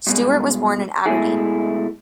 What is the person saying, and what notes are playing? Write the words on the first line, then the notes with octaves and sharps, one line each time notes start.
Stewart was born in Aberdeen.
G2 B2 G#3
B2 G#3 A3 E4 G#4